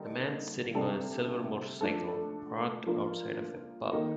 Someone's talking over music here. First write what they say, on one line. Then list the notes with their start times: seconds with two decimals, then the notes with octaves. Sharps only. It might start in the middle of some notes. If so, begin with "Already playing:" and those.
A man sitting on a silver motorcycle, parked outside of a pub.
Already playing: D3 G3 A#3 D#4 A4
0.74 C3 G3 D4 A4
1.81 F3 A3 D4 A4
2.86 F3 A#3 D4 F4 A#4
3.92 D#3 A#3 D#4